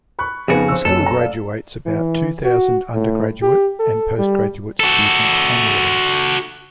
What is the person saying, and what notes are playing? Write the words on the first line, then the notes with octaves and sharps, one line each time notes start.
The school graduates about two thousand undergraduate and postgraduate students annually.
B5 C#6 F#6
F2 C#3 B3 D#4 F#4 G#4
C5 C#6 E6
F#1 F#3 C#4 A4
A#5
D5 F5
E3
F#4
A2
G4
A4
G3
F#4 A4